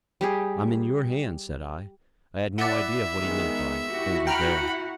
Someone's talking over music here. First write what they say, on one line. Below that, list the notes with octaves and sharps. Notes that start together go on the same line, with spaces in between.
"I'm in your hands," said I. I had no idea of what he meant by "over there."
G3 G4 G#4
E4 D5 E5 F#5
D#3 G#3 B3
E4 F#4 G4
F#5 G5 A#5 B5 F6